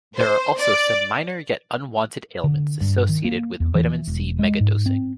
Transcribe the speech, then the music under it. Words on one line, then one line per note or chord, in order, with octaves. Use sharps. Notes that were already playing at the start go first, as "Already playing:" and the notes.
There are also some minor yet unwanted ailments associated with vitamin C megadosing.
C5
D5
D3
G2
D#3
A#3
E2
E3
E1
G#3
G#2
C4